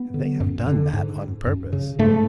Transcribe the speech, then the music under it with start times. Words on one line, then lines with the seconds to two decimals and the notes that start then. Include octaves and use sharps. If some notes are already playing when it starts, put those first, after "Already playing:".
They have done that on purpose.
Already playing: B3
0.14 D3
0.40 F#2
0.67 D3
0.93 G#2
1.47 F#2
1.73 C#3
1.99 G#2 A3